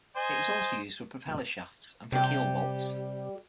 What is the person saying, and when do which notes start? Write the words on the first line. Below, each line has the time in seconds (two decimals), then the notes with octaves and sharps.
It is also used for propeller shafts and for keel bolts.
0.16 C5 D#5 G#5
2.12 C3 G3 G4